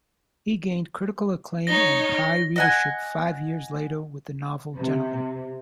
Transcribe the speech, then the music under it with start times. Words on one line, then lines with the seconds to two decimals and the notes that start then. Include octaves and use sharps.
He gained critical acclaim and high readership five years later with the novel, "Gentlemen".
1.67 D#4 C#5 A#6 G7
2.56 D#5 F#5 G#5
4.76 C3